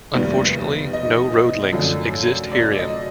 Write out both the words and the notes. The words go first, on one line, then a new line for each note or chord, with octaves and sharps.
Unfortunately, no road links exist herein.
F1 D#2 D#3 G3 B3
D#5
F#2 D3 F3 A3
D5
D#5